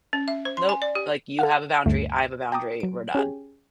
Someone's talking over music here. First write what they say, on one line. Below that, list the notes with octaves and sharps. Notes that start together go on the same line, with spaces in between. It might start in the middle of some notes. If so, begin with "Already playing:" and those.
nope, like, you have a boundary, I have a boundary, we're done.
C#4
E5
C5
C6
G#5
D5
G4
A4 F5 F#5
D2 G2 D3 A3
G5 A5 A#5 D6 D#6
F#3 D7
C#4 G4 G#4